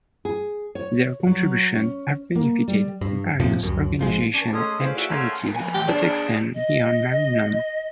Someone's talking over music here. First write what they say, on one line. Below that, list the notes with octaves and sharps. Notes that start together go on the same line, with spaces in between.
Their contributions have benefited various organizations and charities that extend beyond Maryland.
G#4
C#5
F#3
C#4
A#3
G3
G2
F2 A2 C3 F3
C#2 F#2
G#1 F3 G#3
C#4 D4 D5 G#5 A5
G#3 A3 C#4 A4 C6 D#6
C#4 E4 G#4 B4 C5 D5 F5
E4 F#4 D5 E5
A3 C#4 A#4 F#5 C6 D6
F3 G#5
E3 A3 G4
D4 G#4 D5
D#5